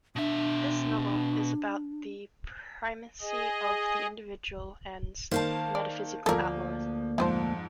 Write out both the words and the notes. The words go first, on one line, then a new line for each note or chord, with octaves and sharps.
This novel is about the primacy of the individual and "metaphysical outlawism".
B2 D4 E5
G#4 D#5
D#3 A#3 C5 F5 A5
D5
D2 F3 A#3 A4 A#4
F2 G#2 F3 G#4 C5